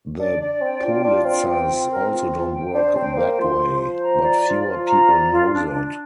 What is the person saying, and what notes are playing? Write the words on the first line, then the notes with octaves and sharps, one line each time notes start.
The Pulitzers also don't work that way, but fewer people know that.
D4 D5
D4 D5
C4 G5
D4 F4
D4 F4
C4 G5
G5
F4
A#4
F4
F4
G5
D4 C5
C4 G5
A#3 C5
F3 C6
C5
C5
A#5
D5
F4
F4
A#5
D5
F4
D4
D4